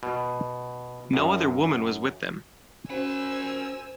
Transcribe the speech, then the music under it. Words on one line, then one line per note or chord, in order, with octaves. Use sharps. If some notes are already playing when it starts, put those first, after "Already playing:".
No other woman was with them.
B2
F#2
C#4 F#4 A#4 C5 G#5 B5 E6